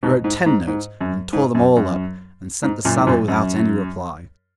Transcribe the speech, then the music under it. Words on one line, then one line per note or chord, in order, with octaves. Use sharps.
He wrote ten notes, and tore them all up, and sent the saddle without any reply.
G#2 B2
G#2
G#2
G#2
F#2
G#2
F#2
F#2
G#2
F#2 A#2
G#2
F#2 A#2
F#2